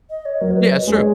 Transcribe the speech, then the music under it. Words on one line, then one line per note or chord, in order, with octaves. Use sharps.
Yeah, it's true.
D#5
C#5
F#3 A#4
C#5
B4
D#5
G#3 D#5
C#5